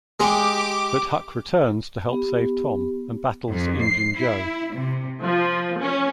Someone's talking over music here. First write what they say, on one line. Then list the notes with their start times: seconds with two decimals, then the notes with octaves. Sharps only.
But Huck returns to help save Tom, and battles Injun Joe.
0.20 G#3 G4 G#4 D6
2.08 B3 G4
3.50 F2
3.82 C7
4.20 E4
4.75 C3
5.22 F3
5.79 C#4